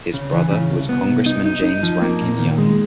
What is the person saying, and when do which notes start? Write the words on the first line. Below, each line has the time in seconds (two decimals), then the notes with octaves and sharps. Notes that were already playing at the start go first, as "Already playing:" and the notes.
His brother was Congressman James Rankin Young.
0.14 C#3
0.32 E3
0.51 C#3
0.70 C2
0.89 B3
1.08 C2
1.26 D#4
1.46 D#4
1.64 D#4
1.83 F3
2.02 A#3
2.21 A#2
2.39 D#3
2.58 G#3